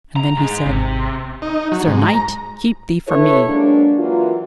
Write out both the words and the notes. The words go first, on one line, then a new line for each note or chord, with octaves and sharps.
And then he said: Sir knight, keep thee from me.
A#5
G#2 G#3
G#1 C3
D#4
F#3
G#2
A#5
E4 A4 B4 C#5
F#3 G#3 A#3 D4
E3 F#3 A#3 F4